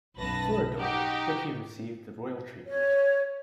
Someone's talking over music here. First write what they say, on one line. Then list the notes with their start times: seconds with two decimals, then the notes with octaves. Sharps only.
For a dog, Dookie received the royal treatment.
0.18 B1 F#2 B4 A5 A#6
0.77 D#4 F#4 G4
2.66 C#5